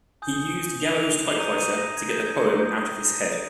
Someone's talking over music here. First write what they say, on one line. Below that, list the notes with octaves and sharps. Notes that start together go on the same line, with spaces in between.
He used Yarrow's typewriter to get the poem out of his head.
G#5 D#6 G6
F7
F7
G7
F7
A#5 D#6 G6 D#7
D#7
A#6
G#6
G6
G#6
A#5 D#6 G6